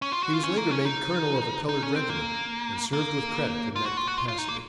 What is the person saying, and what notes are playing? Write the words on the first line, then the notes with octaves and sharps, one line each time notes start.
He was later made colonel of a colored regiment, and served with credit in that capacity.
C#4
F4
F#4
F4
C#4
A#3
C#4
D#4
D#4
C#4
C4
A#3
A#3
F4
F#4
F4
F#4
F4
F4
D#4
A#3